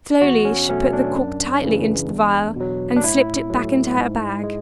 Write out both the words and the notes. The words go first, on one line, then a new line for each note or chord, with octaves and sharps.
Slowly, she put the cork tightly into the vial and slipped it back into her bag.
E2 F#4
C#4
B2 F#3 A3 C#4
D4
F#2
C#3 E3
E2
B2 F#3
D4
A2 E4
F#3 A3
G#2
G#3